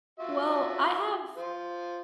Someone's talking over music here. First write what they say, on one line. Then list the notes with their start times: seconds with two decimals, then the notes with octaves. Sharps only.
Well, I have
0.20 F4 F#4 E5
1.37 F4 C5